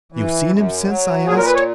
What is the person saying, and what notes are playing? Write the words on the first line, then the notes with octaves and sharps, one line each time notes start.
"You've seen him since?" I asked.
E3
F#2
F#3
A#2 G#4
A#4
B4
C#5